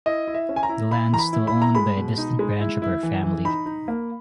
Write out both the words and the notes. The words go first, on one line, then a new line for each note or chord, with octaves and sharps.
The land is still owned by a distant branch of her family.
E4 D#5
E4
E5
C#4
G#5
A#5
E4
E4 B5
E3 A#5
B5
E4
B5
E4
A#5
G#3 B5
B2
D#4
G#3
E4
E4
E3
E3
D#4 B5
D#4
A#3